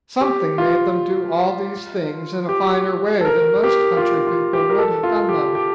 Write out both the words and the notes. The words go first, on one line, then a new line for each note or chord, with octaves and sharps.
Something made them do all these things in a finer way than most country people would have done them.
G4
F4
G4
A4
A#4
G4
F4
G4
F4
G4
A#4
A4
F4
G4
G4